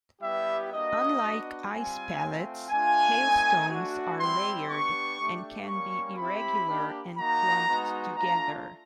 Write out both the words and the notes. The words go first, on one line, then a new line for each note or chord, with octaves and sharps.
Unlike ice pellets, hailstones are layered and can be irregular and clumped together.
G3 B3 E4 G4 E5
A#3 D4 F#4 D#5
B3 D4 F#4
G3 C4 F4 G#5
A3 C4 F4
A3 D4 F4 G#5
A3 C4 D#4
A3 D4 F#4
G3 C4 E4 G4 C6
B3 D4 G4 C#6
A3 D4 G4
G3 A#3 C#4 C#6
C4 E4 G4 B5
A#3 D4 G4
A#3 D#4 F#4 A#5
G#3 B3 D#4 F#4
A3 D4 F4 A#5